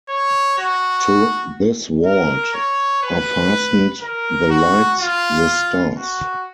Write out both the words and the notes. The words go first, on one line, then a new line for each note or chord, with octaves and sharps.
To this vault are fastened the lights, the stars.
C#5
F#4
A#4
C#5
B4
A#4
F#4
F4
F#4